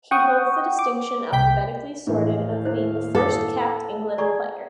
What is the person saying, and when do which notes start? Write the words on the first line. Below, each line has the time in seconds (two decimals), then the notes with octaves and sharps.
He holds the distinction, alphabetically sorted, of being the first capped England player.
0.11 F#5 G5 C#6 D#6
0.79 D6
1.32 C2 G5 G6 B6
2.07 D#2 A2 E3 F5
2.65 E4 C5
3.15 A4 B4 D6 D#6
4.18 G#4 D5 A#5 C#6 G#6